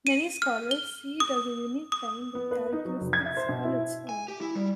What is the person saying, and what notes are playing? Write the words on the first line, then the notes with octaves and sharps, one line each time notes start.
Many scholars see it as a unique time with characteristics all its own.
D#7
F6
G7
D#6
D#6
B3
B4
D#4
F#3
F1
G#6
E5
C5
B2
E4
G#5
G4
E4
G3